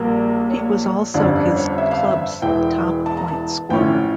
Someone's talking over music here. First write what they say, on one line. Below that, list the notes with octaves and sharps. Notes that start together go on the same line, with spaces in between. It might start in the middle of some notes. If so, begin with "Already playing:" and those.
He was also his club's top point scorer.
Already playing: A#1 A#2 G3 A#3 A#4
C#5
G1 F2 D3 G3 C#4 D5
D5
C#5
E5
F5
E5
E1 E2 E3 G5
A5
A#5
A5
A1 A2 F3 C#4 G5